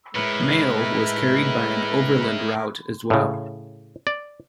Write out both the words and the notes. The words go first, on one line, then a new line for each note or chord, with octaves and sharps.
Mail was carried by an overland route, as well.
A2 G#3 E4 A#4 B4
A2 C#3
D5